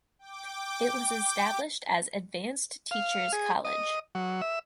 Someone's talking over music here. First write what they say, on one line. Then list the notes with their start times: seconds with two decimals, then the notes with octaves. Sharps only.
It was established as Advanced Teachers’ College.
0.19 G5 D6
2.91 F5
3.33 G#4
3.65 D#5
4.15 F#3
4.41 E5